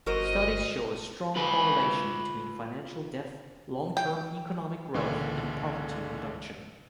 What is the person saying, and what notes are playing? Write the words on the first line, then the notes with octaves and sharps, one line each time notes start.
Studies show a strong correlation between financial depth, long-term economic growth and poverty reduction.
G1 F#4 A#4 C5 D#5
F4 B4
G5
C#2 A#2 D3 E3